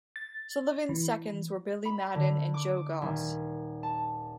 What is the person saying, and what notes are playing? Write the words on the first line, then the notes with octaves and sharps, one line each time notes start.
Sullivan's seconds were Billy Madden and Joe Goss.
A6
E3
B5
D3
D6
D#1
A5